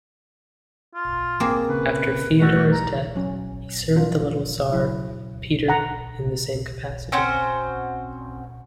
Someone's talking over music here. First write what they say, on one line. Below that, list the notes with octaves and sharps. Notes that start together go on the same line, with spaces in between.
After Feodor's death he served the little "tsar" Peter in the same capacity.
F4
A#3 C4 G#4
C#3 B4
G3 A3 F#4 G4
A#5
F#3 C#4
F3 F#3 D4 F4 A#4
C#3 F#3 E4
F#5 A#5
C4 C#4 F#4 C5